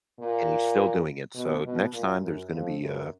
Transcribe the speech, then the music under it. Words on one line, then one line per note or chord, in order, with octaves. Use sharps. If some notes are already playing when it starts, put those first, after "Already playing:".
And he's still doing it, so next time, there's gonna be a
A#2
B2
B2
A#2
F#2
F2
F#2